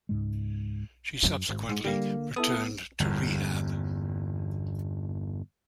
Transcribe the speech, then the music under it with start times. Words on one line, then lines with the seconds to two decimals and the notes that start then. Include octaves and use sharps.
She subsequently returned to rehab.
0.09 C#2 G#2 G#3
1.24 F#2
1.49 G#1
1.69 G#2
1.84 D3 G3 A#3
2.36 B3 E4 A4 D#6
3.00 G1 E2